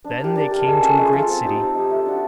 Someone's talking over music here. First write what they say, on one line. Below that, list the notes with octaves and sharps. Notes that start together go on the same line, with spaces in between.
Then they came to a great city.
D4
G4 A#4
D4
G4 A#4
G#3
C#4 F4 A4
G#3
C#4 F4 A4
C4
D#4 G4
C4
D#4 G4
A3
D4 F#4